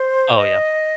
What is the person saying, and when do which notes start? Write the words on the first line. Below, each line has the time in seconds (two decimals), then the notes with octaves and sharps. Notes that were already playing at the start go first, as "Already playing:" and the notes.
Oh, yeah.
Already playing: C5
0.37 D#5